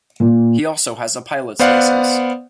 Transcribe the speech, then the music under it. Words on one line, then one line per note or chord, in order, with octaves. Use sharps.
He also has a pilot's licence.
A#2
B3 C5 D5 F5 F#5